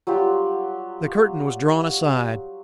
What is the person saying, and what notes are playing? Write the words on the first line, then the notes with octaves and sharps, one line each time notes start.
The curtain was drawn aside.
F#3 G3 F4 G4